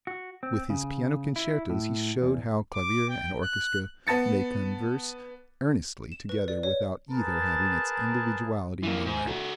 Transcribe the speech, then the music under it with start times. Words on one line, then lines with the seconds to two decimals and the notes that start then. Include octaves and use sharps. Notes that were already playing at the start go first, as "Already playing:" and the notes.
With his piano concertos he showed how clavier and orchestra may converse earnestly together without either having its individuality marred.
0.07 F#4
0.43 C4
0.70 C#3
1.36 E4
1.70 A2
2.22 E2
2.74 D6
3.09 G5
3.41 F#6
4.07 B3 A5 A6 C#7
6.12 E7
6.29 B4
6.48 D5
6.63 C#5
7.11 G#4 A#4 B4 A5
8.83 E3 A#3
9.06 G#2
9.27 F#4 A4